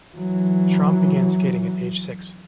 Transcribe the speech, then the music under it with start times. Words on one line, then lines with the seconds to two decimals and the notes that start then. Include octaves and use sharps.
Schramm began skating at age six.
0.14 E3 F#3